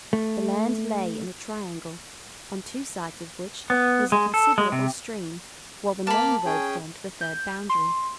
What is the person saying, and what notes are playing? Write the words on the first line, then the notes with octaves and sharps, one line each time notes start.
The land lay in a triangle, on two sides of which was a considerable stream while the main road formed the third boundary.
A3
B3
G#3
A4
G#3
C3
A#3 A5 B5 D6 F6
C#4 G#4 G5
G6
C6